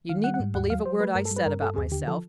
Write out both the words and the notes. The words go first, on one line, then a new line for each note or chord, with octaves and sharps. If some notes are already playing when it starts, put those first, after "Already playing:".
You needn't believe a word I said about myself.
D#3 F5
G3 F#5
F#5
G#2
D#2 F#5
F#3 F5
F#3 C5
A3 B4
G2 A#4
A4
G3
B4
G2 A#4
G2 A4
D#2 G#4
D3 G4
F3 A4